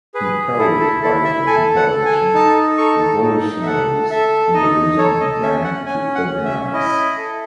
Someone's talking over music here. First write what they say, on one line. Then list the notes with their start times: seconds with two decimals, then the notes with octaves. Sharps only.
Encouraged by the declaration, revolutionaries in the region began to organize.
0.14 G#4 B4
0.59 E4 A4
0.80 A4
1.03 E4 A4
1.25 E5
1.47 A4 G#5
1.76 F#5
1.91 A4
2.05 G#5
2.34 D#4 A5
2.78 A4 C#6
3.22 D#4
3.62 E5
3.66 A4 F#5
4.10 A4 E5
4.54 D#4 D#5
4.98 A4 C#5
5.20 D#5
5.42 C#4 E5
5.64 F#5
5.86 C#4 G#5
6.15 F#5
6.30 C#4
6.45 E5
6.74 E4 D#5
7.17 A4